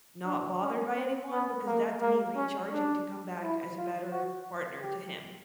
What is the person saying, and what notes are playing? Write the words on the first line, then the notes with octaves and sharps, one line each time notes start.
not bothered by anyone because that's me recharging to come back as a better partner to him.
D4
C#4
C4
B3
A#3
A#3
C#4
D4
E4
F4
F#4
G4